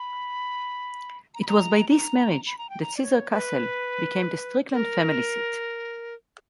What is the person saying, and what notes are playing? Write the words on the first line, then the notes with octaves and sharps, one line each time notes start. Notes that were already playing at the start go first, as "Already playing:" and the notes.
It was by this marriage that Sizergh Castle became the Strickland family seat.
Already playing: B5
A#5
B5
A#5
A#5
B5
A#5
G5
A#5
D5
C#5
B4
A#4